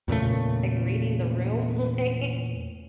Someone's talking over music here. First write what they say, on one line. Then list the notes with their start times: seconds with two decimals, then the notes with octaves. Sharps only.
like, reading the room, like,
0.08 E2 A#2 C#3 A3